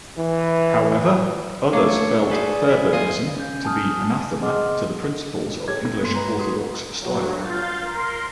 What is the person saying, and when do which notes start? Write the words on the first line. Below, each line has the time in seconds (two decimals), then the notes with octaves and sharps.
However, others felt Fairbairnism to be anathema to the principles of "English Orthodox" style.
0.18 E3
1.73 A3 A#3 D4 C#5
2.30 G#4 A4 B4 C5 D5
2.69 E4
2.93 F4 D#5 G#5
3.37 C#4 G6
3.65 G#5 A5 D#6 F6
4.04 A5
4.42 G#4 D#5 F#5 C6 D6 F6
5.68 G4 A4 C#5 G#6
5.85 C4 D#4
6.01 G2 G#3 A3 B3 C6
6.14 B4 A#5
6.39 F#4 G#4 C6
7.00 G2 F#3
7.42 F4 F5 G6 A6
7.81 A#4 C6